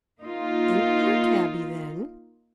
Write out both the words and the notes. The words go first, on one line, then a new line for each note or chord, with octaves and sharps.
"Ain't you a cabby, then?"
A#3 D#4 F4